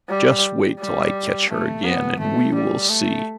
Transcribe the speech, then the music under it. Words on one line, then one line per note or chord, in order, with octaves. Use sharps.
Just wait till I catch her again and we will see.
G3
G3
A3
B3
A3
G3
A3